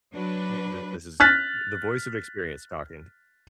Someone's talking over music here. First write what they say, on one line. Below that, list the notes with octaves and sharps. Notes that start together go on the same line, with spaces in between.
n the this is the voice of experience talking.
F#3 D4 B4
F6 F#6 A6 B6